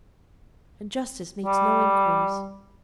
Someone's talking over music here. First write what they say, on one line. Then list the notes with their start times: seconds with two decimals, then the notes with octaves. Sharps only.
And justice makes no inquiries.
1.44 G3